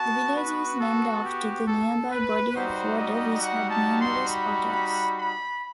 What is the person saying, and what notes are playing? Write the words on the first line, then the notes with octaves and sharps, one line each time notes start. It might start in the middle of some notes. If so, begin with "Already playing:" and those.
The village is named after the nearby body of water which had numerous otters.
Already playing: B3 F#4 A5
B4
A4
G4
A4
B4
G3 D#4 F#4 C5
D#5
F#5
A5
C6
B5
B5
B5